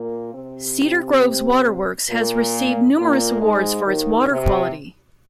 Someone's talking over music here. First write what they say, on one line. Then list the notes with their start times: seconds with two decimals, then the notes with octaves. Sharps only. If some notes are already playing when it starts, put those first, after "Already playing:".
Cedar Groves waterworks has received numerous awards for its water quality.
Already playing: A#2 A#3
0.34 C3 C4
2.10 A#2 A#3
2.98 A#2 A#3
3.42 G#2 G#3
3.86 D#2 D#3
4.30 C3